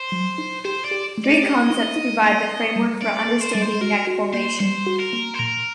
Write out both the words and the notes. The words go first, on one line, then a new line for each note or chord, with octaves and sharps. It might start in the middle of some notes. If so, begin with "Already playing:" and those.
Three concepts provide the framework for understanding neck formation.
Already playing: C5
F#3
D#4
G4 C5
D5
G4
A3
D5
G4 D#5
D#4
D#4
A#3
A4
G3
A#3 D5
A4
C5
G3 D5
C5
F#4 A#4
F#4
A#3 C5
G3 C5
F#4
A#4
A#3
C5
A#2 A#4